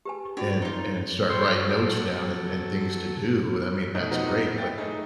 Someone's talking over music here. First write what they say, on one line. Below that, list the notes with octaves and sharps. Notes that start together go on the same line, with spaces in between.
and and start writing notes down and and things to do. I mean, that's great, but
G4 B4 G#5
C#4 F#4 C#5 D5
D#4 F4
C5 C#5 G5 C6
F#3 A4
F2 B2 A3 D#4
F3 F#3 B3 C4 D#4
G7
E4 G5 A6
A3 D#4 G#4 E5